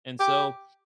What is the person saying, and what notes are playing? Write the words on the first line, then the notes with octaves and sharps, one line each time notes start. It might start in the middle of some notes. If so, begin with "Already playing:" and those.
And so
G4